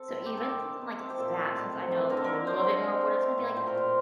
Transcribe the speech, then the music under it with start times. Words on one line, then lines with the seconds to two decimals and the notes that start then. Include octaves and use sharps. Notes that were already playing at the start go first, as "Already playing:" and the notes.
So even something like that, since I know a little bit more of what it's gonna be like
Already playing: C4 A4
0.08 A2
0.26 D#3 G4
0.37 A4
0.44 D#3 G4
0.62 D#3
0.81 A3
0.99 C4 A4
1.10 G4
1.18 A#2 A4
1.36 A3
1.55 A2
1.73 C3
1.91 D#3
2.09 D3 A#4
2.17 A4
2.24 A#3 A#4
2.47 D3 C5
2.64 D3
2.83 C4
3.01 C4
3.19 A3
3.38 A2
3.56 A#2 C5
3.67 A#4
3.75 A#2 C5